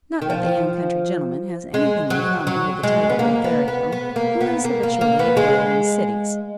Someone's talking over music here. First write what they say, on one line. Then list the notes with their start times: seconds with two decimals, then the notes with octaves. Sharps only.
Not that the young country gentleman has anything in common with the titled Lothario, who is habitually a dweller in cities.
0.22 D#3
0.30 F3
1.74 G#3
2.10 F#3
2.47 F#3
2.83 G#3
3.10 B3
3.19 A#3
3.44 B3
3.68 B3
3.92 B3
4.16 A#3
4.41 B3
4.65 A#3
4.83 A#3
5.01 A#3
5.19 B3
5.37 G#3